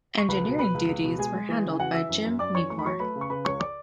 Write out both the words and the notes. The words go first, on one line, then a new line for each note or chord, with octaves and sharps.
Engineering duties were handled by Jim Nipor.
C#6
C#2 B4 B5
B2
B2 B4 B5
C#2
C#2
B2
G#3 G#4 G#5
G#3
E3
C#3
E3 F#4 F#5
E3 E5 E6
F#2
F#2
F#2 D5 D6
E3 C#5 C#6
A3 C#6
B5
F#3 C#5 C#6
A3 B4 B5
C#3
C#6
C#3 B4 B5
C#2 C#5 C#6
D5 D6